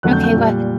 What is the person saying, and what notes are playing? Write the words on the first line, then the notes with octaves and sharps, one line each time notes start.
Okay, what?
F2 D3 F#3 A3 F#6
G6
G6
A#2 G3